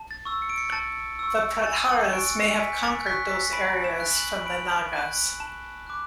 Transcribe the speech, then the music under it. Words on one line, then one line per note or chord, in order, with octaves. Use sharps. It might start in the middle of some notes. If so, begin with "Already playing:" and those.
The Pratiharas may have conquered these areas from the nagas.
Already playing: A5
A6
C#6 E6
C#7
D7
C#7
A5 A6
C#6 E6
G#5 A6
A6
C#6 F#6 D7
C#7
G#5 B6
A6
C#6 F#6 B6
B6
B5 D7
E7
F#6
F#7
B5 D7
F#6
A5 E7
D6 F#6